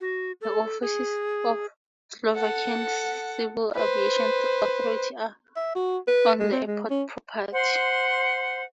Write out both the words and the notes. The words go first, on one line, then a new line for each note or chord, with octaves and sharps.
The offices of the Slovakian Civil Aviation Authority are on the airport property.
F#4
A4
G#4
A4 F#5
B4 C5
E5
F#4
B4
G#3
C4
G#3
C#4
C5 F#5 C6